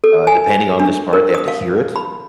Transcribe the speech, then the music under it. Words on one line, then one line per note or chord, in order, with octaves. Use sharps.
uh, depending on this part, they have to hear it,
A4
G#5
D4
A#4
D#6
F5
B5